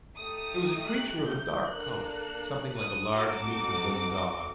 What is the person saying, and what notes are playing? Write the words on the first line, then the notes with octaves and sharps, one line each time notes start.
It was a creature of a dark color, something like a large Newfoundland dog.
A3 D#4 G4 D#6
F#6
G6
A#3 D4 A4 F#6
D#6
C4 D#4 F#4 A4 D6
D6
D6